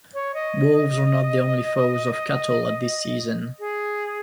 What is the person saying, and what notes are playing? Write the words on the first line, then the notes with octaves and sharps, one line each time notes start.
Wolves are not the only foes of cattle at this season.
C#5
D#5
G#4